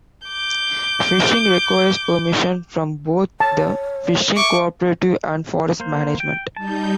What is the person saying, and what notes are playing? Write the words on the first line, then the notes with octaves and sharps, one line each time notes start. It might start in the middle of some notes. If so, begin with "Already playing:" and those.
Fishing requires permission from both the Fishing Cooperative and Forest Management.
D6 G6
C#5 A5
E5 C#6 D6
A#3 C5
G5
G3 D#4 A5 G6